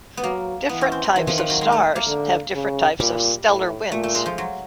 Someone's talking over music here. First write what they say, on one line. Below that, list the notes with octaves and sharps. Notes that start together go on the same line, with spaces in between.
Different types of stars have different types of stellar winds.
B3
F#3 A#3
E3 B3
C#4
C4
F#3
D#3 E3
F3
F3
F#3
G#3
A3
A#3
D3
C#3
A#2 G3
A2
A#2 A3
A3
G#3
F3
F#3